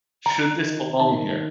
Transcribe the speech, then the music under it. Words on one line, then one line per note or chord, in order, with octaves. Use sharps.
"Should this belong here?"
A#5
D#3
D#3 A5